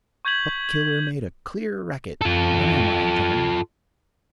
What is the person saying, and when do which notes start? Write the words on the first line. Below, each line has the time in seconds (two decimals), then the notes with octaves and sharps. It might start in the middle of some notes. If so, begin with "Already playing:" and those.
"Buck-killer made a clear racket. Where am I, gentlemen?"
0.25 C#6 G6 G#6 B6 F#7
2.21 F4 A4